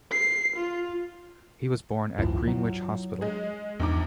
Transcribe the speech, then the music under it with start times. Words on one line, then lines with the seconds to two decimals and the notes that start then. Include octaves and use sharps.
He was born at Greenwich Hospital.
0.12 C7
0.56 F4
2.18 G#1 C#2 F#2 E3 F3
2.47 F#3
3.21 G#3 G#4
3.80 A#1 E2 G#2 D6